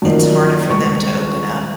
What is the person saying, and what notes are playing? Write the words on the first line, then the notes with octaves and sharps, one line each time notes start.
it's harder for them to open up.
F#2 A#2 D#3 F3
D#1 C#2 C#6